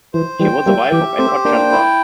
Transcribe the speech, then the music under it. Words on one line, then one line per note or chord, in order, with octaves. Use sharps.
She was the wife of Edward Chandler.
E3 C5
E3 G3 G5
G3 A#3 E5
E3 G4
A3 C4 C5
A#3 D4 G5
E4